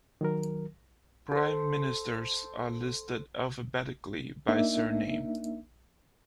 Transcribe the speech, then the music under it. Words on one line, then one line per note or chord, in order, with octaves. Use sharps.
Prime Ministers are listed alphabetically by surname.
D#3 F#3 A#4
A4 C5
A#3 D4 D#4 E5